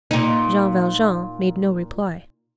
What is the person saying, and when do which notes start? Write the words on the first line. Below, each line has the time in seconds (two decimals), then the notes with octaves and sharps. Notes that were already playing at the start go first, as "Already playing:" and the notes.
Jean Valjean made no reply.
0.11 A#2 D#4